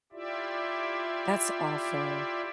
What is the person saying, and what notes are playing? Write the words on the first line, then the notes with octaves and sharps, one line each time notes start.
That's awful.
E4 F4 G4 D5 E5